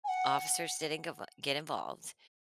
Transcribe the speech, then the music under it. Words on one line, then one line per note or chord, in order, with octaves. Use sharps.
officers didn't get vo get involved,
G#5
F#5